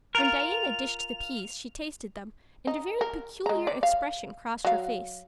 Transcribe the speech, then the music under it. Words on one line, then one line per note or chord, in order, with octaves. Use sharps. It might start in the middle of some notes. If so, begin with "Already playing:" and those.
When Diana dished the peas she tasted them and a very peculiar expression crossed her face.
F4 A#4 F7
D#4
A#4
G#3 A#5
D5
F5
F#3 F5